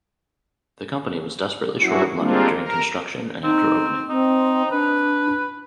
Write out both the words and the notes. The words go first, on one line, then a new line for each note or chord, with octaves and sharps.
The company was desperately short of money during construction and after opening.
F#3 C#4 E4 F#4
G3 G#3 A#3 C4 D4 F4
A#4
C4 D#4
C4 D#4
D4 B4